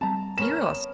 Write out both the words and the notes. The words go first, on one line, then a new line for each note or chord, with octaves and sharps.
You're awes
G3 C4 A5 A#5
B3 C#4 A#4 E7